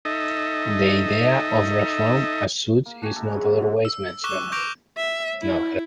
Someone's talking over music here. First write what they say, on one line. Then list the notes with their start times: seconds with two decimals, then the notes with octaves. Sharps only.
The idea of reform as such is not otherwise mentioned.
0.05 D#4 A4 D#5 E5
2.86 A#3
3.02 D4 F#4 G4 G#5
3.16 G#3 D#4 A4
3.31 G#2 E3 F#3
3.43 F#3 A#3
3.58 G#2 D3
3.85 E6
4.24 C#6 D6 F#6 E7 G7
4.52 C#6 D6 G6 A#6 D7 F7
4.98 E5
5.42 E4